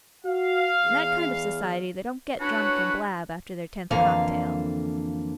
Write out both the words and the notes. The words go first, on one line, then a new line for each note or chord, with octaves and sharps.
In that kind of society they don't get drunk and blab after their tenth cocktail.
F#4 F5
E2
C#4 D4 E4 F#4 B4 C#5
F2 D3 E3 A#3 F5